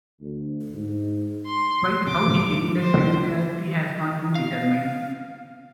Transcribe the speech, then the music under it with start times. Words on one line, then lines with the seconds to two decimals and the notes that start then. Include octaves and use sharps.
Quite how he gained that familiarity has not been determined.
0.21 D2
0.74 G#2
1.46 C6
2.08 D6
2.80 C5
4.35 F5